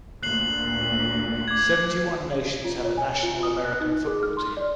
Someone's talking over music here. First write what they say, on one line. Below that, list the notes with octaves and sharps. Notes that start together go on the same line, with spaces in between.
Seventy-one nations have a national American football team.
D2 A#2 F#6 C7 F#7
D6 G#6
F4
C#5
G#5
F4
D#6
F#6
D#4
G#4
F6
C6
D5